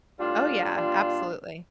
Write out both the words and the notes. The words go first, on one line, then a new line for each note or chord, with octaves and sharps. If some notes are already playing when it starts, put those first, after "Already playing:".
Oh, yeah, absolutely.
A2 G3 D4 F4
A#2 G3 D4 F4